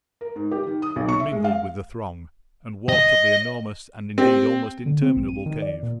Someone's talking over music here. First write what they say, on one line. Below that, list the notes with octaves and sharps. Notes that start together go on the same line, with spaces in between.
We mingled with the throng, and walked up the enormous and, indeed, almost interminable cave.
A#4
G#2
G4
D#3
D#6
B1
C#6
E5
G#3
F5
D#5
C4 G4
D3
C4
A#1
D#7
D#3
D5
A#2